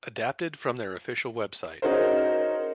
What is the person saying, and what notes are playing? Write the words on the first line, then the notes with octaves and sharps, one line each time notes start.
Adapted from their official website.
C#4 D#4 F#4 G#4 A#4 C5